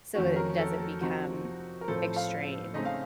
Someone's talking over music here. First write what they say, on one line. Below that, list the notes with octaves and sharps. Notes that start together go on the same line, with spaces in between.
so it it doesn't become extreme.
F2 D#3 F#3 A3 C#4 F#4
A#4
A4
A4
C3 F3 C4 D#4 F#4
A#4
A2 F3 C4 A4
F5
C#3 A3 C4 D#4 D#5
F5